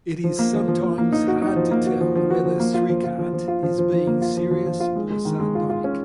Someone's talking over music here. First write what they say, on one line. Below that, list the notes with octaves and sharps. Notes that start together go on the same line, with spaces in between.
It is sometimes hard to tell whether Srikant is being serious or sardonic.
F3
A#3
F3
F3
A#3
A#3
D#4
F#4
D#4
F3
A#3
F#4
F3
F3
F#4
F3
A#3
F4
F3
F4
F3
F3
F4
F3
F3
F3
A#3
F4
F3
F3
F3
F4
G#3
G#3
D#3
G#3
F4
F4
C#4